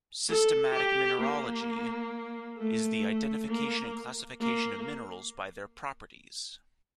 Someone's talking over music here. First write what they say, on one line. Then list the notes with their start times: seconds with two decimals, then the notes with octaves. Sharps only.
Systematic mineralogy is the identification and classification of minerals by their properties.
0.29 A4
0.75 G4
1.21 A#3
2.58 A3
3.49 A#3
4.41 A#3